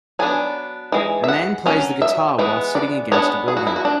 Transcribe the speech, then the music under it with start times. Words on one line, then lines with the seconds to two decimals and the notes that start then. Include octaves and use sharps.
A man plays the guitar while sitting against a building.
0.19 F#3 B3 D4 G#5
0.92 E3 G#3
1.24 E5
1.28 F#5
1.66 F#3 C#4
2.02 E5
2.38 E3 G#3 B3
2.75 D5
3.12 G#3 B3 D4 C#5
3.48 G#4
3.57 F#4
3.67 E4
3.76 F#4
3.85 D4